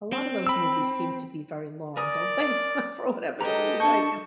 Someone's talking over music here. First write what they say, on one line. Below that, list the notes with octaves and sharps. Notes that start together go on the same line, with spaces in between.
a lotta those movies seem to be very long, don't they? For whatever the reason, I guess.
C4
B5 E6
A#4 D5 G#5 D#6
G#3 G4 A4 B4 D#5 A#5
D4 A#4 A5 C#6 G6